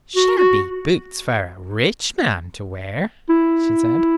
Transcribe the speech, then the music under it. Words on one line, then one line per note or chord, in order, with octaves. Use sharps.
"Shabby boots for a rich man to wear," she said.
F#4
F#4
E4